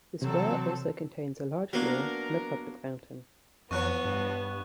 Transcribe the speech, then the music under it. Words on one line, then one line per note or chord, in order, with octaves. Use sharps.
The square also contains a large lawn and a public fountain.
C3 E3 F#3 C4 A4
F#3 A#3 B3 D4 A#4
F2 E3 F3 B3 C#5 C#6 F#6
G2